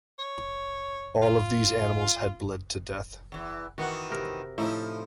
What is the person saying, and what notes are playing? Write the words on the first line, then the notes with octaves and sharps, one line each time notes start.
All of these animals had bled to death.
C#5
F4
E2 E3
D#3 E3 B3 F#4 F#5
C3 A#4
A2 F3 D#4 E4